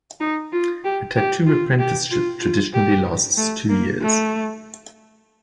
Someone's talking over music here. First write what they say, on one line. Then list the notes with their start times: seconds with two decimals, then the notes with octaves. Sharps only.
A tattoo apprenticeship traditionally lasts two years.
0.20 D#4
0.52 F4
0.84 G4
1.16 G4
1.46 F4
1.79 G4
2.11 F4
2.42 F4
2.73 G4
3.37 A3
3.69 A#3
4.01 A3